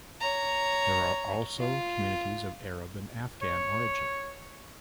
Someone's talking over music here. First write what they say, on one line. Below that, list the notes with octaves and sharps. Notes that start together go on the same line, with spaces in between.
There are also communities of Arab and Afghan origin.
C#5 A#5
F4
C#5